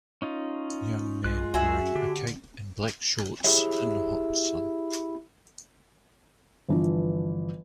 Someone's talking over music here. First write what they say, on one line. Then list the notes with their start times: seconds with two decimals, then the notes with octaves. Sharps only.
Young man wearing a cape and black shorts in the hot sun.
0.22 C#4 D#4 F4
1.24 B1 G#3 F4 F#6
1.54 C#2 F#4 G#4 E5
1.96 D3 G4
3.44 E4 G4 G#4 C#5 E5
6.69 G1 E3 F3